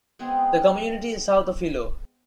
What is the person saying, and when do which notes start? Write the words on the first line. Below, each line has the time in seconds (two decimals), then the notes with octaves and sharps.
The community is south of Hilo.
0.19 G#3 B3 C4 G#4